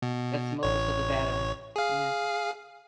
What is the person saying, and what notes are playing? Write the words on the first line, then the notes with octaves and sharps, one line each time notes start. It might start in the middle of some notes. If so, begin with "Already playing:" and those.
That's most of the battle, yeah.
B2
A1 C#5
G#4 F5